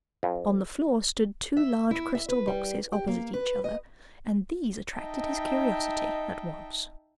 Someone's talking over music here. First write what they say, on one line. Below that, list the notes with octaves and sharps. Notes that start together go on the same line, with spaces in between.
On the floor stood two large crystal boxes opposite each other, and these attracted his curiosity at once.
F2
E5
E4
E5
B4
G3
G4
A#3
B4
D#5
D#4 D#5 E5 G5 A5